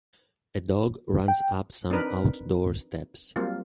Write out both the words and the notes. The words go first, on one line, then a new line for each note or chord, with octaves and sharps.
A dog runs up some outdoor steps.
G5
C4 D4 D#4 A#4 B4
F#3 G3 A#3 C4 F4